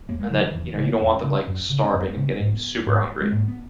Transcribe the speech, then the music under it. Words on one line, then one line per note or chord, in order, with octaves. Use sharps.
and then, you know, you don't want them, like, starving and getting super hungry.
E2 A#3
G#3
C#3 F#3
D#3
E2 E3
D#3
C#3 E3
A#3
E2 C#4
C#3
F#2
C#3
C#4
F#2 B3
C#3 B3
G#2
G#2
G#3
G#2 A#3
B3